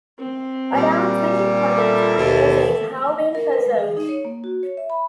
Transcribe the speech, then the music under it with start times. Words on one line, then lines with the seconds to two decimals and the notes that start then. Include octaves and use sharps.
Around twenty poems and essays have been preserved.
0.19 C4
0.74 A#2 G3
1.75 A4 E5
2.17 D#2 B2
3.35 A#4
3.53 B4
3.66 G#3
3.79 G#4
3.97 D#4
4.09 C#5
4.25 A#3
4.44 F#4
4.63 C#5
4.77 E5
4.90 B5